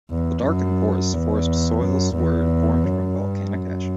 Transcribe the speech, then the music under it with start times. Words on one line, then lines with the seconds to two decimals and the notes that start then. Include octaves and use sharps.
The dark and porous forest soils were formed from volcanic ash.
0.11 E2
0.45 F#2
1.14 E2
1.82 F#2
2.16 E2
2.85 F#2
3.19 G2
3.54 F#2